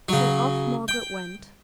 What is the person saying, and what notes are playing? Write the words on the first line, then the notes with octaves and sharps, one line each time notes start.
So off Margaret went.
C#3 F#3
G5